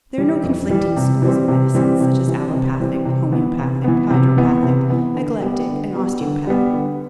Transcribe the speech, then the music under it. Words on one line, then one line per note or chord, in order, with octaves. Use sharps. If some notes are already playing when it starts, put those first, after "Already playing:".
There are no conflicting schools of medicines such as Allopathic, Homeopathic, Hydropathic, Eclectic and Osteopathic.
E3 G3
F2
E3 G3
C3
E3 G3 C4
C3
E3 G3 C4
C3
E3 G3 C4
C3
E3 G3 C4
C3
E3 B3
C3
E3 B3
C3
E3 B3
C3
E3 B3
D3
G3 B3
D3
G3 B3
D3
G3 B3
D3